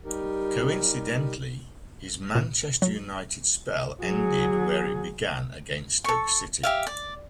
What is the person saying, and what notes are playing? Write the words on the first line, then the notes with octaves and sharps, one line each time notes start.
Coincidentally, his Manchester United spell ended where it began-against Stoke City.
G3 D#4 G4 A#4
A#2
F#3
F#3 G#4
A4 C#6
G4 E5 F5
D5